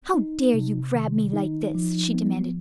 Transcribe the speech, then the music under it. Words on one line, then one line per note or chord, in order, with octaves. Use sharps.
"How dare you grab me like this?" she demanded.
D#4
C3
D#3
D#4
F3
B3